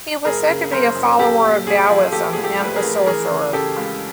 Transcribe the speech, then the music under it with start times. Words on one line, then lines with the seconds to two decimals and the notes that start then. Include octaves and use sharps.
He was said to be a follower of Taoism and a sorcerer.
0.25 F#1 G#4 A#4
0.49 C#3
0.72 F#1 A#4 C5
0.95 F#2
1.19 A#1 G4 A4
1.43 A#2
1.66 A#1 G#4
1.90 F3
2.12 A1 G4 A4
2.33 A1 G#4
2.44 G4 A4
2.60 A1 B4
2.76 G#4 A#4
2.83 A1
3.07 E3 G#4 A#4
3.30 C#3
3.53 C#3 G4 A4
3.77 C#2